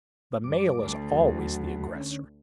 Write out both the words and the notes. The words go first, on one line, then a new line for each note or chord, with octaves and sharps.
The male is always the aggressor.
F#2 G3 D6
D2
D#2 F#3 F#4
D3 C#4